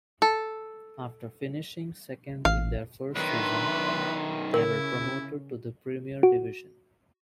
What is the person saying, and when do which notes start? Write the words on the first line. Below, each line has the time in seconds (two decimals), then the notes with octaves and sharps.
After finishing second in their first season, they were promoted to the Premier Division.
0.22 A4
2.45 A1 F5
3.16 B1 D#3 D4 B4 E5 C6
4.54 C#3 E4 A#4
6.23 F#4